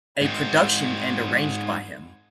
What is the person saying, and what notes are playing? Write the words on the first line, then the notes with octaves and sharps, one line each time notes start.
A production and arranged by him.
G#2 C4